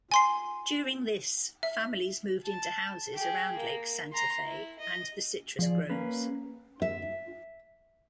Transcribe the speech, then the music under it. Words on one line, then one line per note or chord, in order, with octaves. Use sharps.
During this, families moved into houses around Lake Santa Fe and the citrus groves.
G#5 C6 C7
E5
A5
G4 G#4
A#3
A#5 C6
E4
D#5
F3 G#4 D5
A#3 C#4 B4
E5